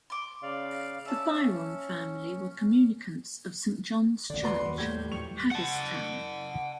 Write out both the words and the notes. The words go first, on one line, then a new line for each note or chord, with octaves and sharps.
The Byron family were communicants of Saint John's Church, Hagerstown.
C6 D6
C#3 D5 F5
C#4 E5 A5
A1 D3 D5
D#2 A3 F#4 B4 C6
D#2 G3
A2 G4 G6 G#6
A2 F3 G3 C#6 F7
F#5 A5